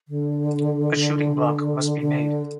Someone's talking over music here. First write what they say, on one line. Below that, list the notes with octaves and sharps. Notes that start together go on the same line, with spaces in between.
A shooting-block must be made.
D3
D3